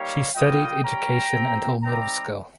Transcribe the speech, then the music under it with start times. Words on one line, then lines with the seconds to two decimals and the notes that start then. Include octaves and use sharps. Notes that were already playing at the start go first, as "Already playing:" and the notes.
She studied education until middle school.
Already playing: G3 A#3 D#4 G4 C#5 F5
0.35 G3 A#3 F4 D#5 G5
0.84 G3 C#4 G4 G5 A#5
1.34 C4 G4
1.83 G3 C4 D#4 G4 G5 A#5